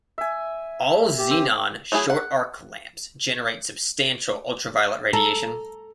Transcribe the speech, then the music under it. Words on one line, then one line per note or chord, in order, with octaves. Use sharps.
All xenon short-arc lamps generate substantial ultraviolet radiation.
E5 G#5
G4
C4
F#3 A3 E4 G#4
F#5
A4 A#5